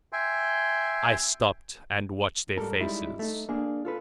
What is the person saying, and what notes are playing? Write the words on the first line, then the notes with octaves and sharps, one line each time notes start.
I stopped and watched their faces.
E5 G5 G#5 C6
G#2 G3 A4 A#4
G3 G#3 D#4 E4
A3 D#4
A#3 D4 G#4
F4 A4 B4